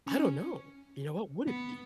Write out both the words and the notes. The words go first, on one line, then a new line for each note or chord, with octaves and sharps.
I don't know. You know, what would it be?
C#4
B3